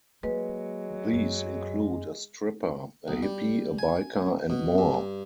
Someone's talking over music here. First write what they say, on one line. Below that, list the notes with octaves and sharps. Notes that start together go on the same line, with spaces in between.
These include a stripper, a hippie, a biker, and more.
F#3 G#3 A#3 B4
F#2
B1
G3
G#5
B2
G2